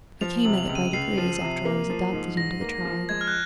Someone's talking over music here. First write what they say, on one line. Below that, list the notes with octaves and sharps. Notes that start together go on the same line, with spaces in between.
I came at it by degrees, after I was adopted into the tribe.
F3 F7
F#7
C3
F7
C#2
D#7
C#2 C7
F3
C3
A#3
F3
G#2
G#2 A#6
A#3
F3
G#3 G#6
F6
F#6